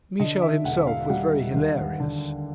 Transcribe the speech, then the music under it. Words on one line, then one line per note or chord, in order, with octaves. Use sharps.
Michel himself was very hilarious.
D3 D#5
E5
E1 F#5
F5
G3 F#5
D#2
D3